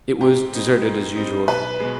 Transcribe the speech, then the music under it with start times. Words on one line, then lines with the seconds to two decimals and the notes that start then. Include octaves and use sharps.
It was deserted as usual.
0.21 G#2 G4
0.53 G3 C4 D#4
0.84 G#2
1.16 G3 C4 D#4
1.48 B1 B4
1.80 B2 G#3